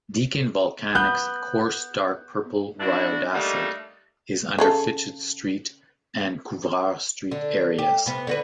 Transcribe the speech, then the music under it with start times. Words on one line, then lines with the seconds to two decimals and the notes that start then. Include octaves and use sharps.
Deakin Volcanics coarse dark purple rhyodacite is under Fitchett Street and Couvreur Street areas.
0.95 B3 F#6 G6
2.80 D4 E4 F#4
3.33 G3 A3 A#3 D4 D#4
4.59 C#3 G#4 A4
7.31 D3
7.78 G4
8.06 C3 B3
8.27 D3 F#4 B4